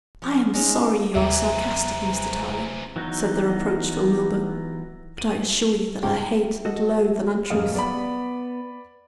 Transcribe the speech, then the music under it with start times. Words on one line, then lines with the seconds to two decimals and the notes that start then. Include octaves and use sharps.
"I am sorry you are sarcastic, Mr. Tarling," said the reproachful Milburgh, "but I assure you that I hate and loathe an untruth."
0.22 F3
0.54 G#3 C#4 D#4
1.15 D#2 C3 E3 F#3 E5 A#5
2.96 E3 F#3 B3 D#4
5.18 D#7
6.03 C#2 G#2 C#4 G4
6.65 F#4 A4 D#5
7.50 D#1 F#2 G#4 D#5 F5
7.75 B3 D5 B5